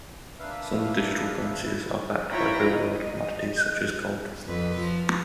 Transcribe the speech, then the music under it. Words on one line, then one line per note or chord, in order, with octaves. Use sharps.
Some digital currencies are backed by real-world commodities such as gold.
A#3 D4 B4 E5 F5
G2 E4
E4 F4 C#5 G5 A#5 B5
D#5
F2 B4
F3